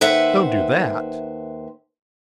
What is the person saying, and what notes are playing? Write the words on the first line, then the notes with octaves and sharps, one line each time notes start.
"Don't do that!"
D#2 B4 C5 E5 F#5